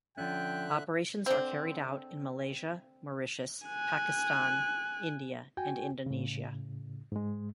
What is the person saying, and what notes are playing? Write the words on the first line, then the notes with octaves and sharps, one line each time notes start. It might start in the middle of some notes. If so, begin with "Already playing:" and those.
Operations are carried out in Malaysia, Mauritius, Pakistan, India and Indonesia.
D3 F3 C#4 E5 G5 F#6
D3 C4
G#5 F#6
F#4 G5 G#5
A2 C#3
G#2 G#3